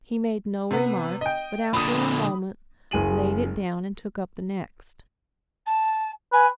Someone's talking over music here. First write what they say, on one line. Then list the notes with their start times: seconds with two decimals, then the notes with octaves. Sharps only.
He made no remark, but after a moment laid it down and took up the next.
0.71 C3 B3
1.21 D#5 G5
1.73 A#2 D3 B5 D#6
2.91 F#1 G#4 D#7 F#7
5.66 A5
6.33 B4 G#5